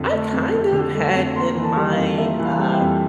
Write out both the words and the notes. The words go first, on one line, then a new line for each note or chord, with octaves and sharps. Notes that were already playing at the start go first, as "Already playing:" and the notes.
I kind of had in mind, uh,
Already playing: F2 D3
A3
F2
F2
D3
A3
F2
A#3 C6
E3
A5
G3
F5
F2
A#3 E5
E3
F5
G3
G5
F2